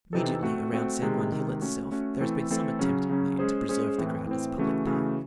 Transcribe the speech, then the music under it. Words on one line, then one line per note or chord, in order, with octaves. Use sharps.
Immediately around San Juan Hill itself there has been some attempt made to preserve the ground as a public park.
C3 E3 C4 D#4 A4
A3 C4 F#4
A3 C4 F#4
C3 D#3 G#3
C3 D#3 G#3
A3 C#4 F#4
A3 C#4 F#4
E3 A3 C4 E4 A4
E3 A3 C4 E4 A4
C#3 F#3 C#4
C#3 F#3 C#4
G#3 C#4 G#4 C5
G#3 C#4 G#4 C5
A2 E3 C4
A2 E3 C4
C#3 E3 A3 C#4 F#4
C#3 E3 A3 C#4 F#4